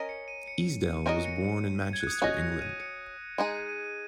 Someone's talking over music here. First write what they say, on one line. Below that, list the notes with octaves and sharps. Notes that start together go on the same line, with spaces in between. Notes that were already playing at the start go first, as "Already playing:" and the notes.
Easdale was born in Manchester, England.
Already playing: C#4 A#4 D#5
C#7
D#7
C#7
C#4 F#4 A#4 D#5 D#7
C#7
C#7
G#6
F#6
D#6
F#6
C#4 F#4 D#5 A#6
C#7
D#7
C#7
G#3 D#4 G#4 D#7
D#7
D#7
D#7